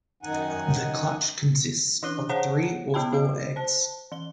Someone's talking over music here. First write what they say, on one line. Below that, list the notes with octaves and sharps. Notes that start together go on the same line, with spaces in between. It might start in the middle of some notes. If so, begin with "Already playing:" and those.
The clutch consists of three or four eggs.
F#2 D#3 D#4 F#5 G#5
E3 D4 E4 F#6 G7
G#4 C5 C#5 F#5 A5 A#5
B3 E4 F#4 G5 A5 B5
E4 F#4
C5 A5
E3 G7